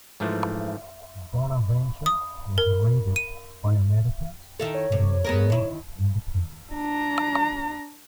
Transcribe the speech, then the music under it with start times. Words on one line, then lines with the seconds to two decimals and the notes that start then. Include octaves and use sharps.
Bonaventure was raided by Americans during the War of Independence.
0.20 G#2 E3 F3 A3
2.06 D#6
2.58 A#4
3.16 D#7
4.60 D#3 E4 A4
4.74 C#5
4.92 C3
5.24 B3 G#4 A#4
5.50 D#3 E4
6.74 D4 A#5